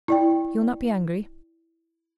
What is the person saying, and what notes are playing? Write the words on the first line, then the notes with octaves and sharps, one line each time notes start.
"You will not be angry?"
E4 D5 G5